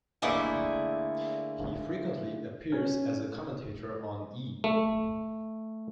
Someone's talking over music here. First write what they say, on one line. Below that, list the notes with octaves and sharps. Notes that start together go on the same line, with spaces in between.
He frequently appears as a commentator on E!
D3 A3 A#3 E4 G#4 D5
C#4
A3